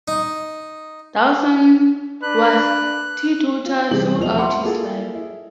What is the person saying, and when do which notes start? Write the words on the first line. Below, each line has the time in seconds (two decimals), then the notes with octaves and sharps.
Dawson was teetotal throughout his life.
0.08 D#4
2.22 D4 B4 F#6
3.66 F4
3.91 C3 E3 G3 G#4 F#7
4.18 E1 B2 F3 F7
4.38 E5 F#5 B5 C6 D6
4.64 A#3 E4 F4 G#4 A4
5.15 E4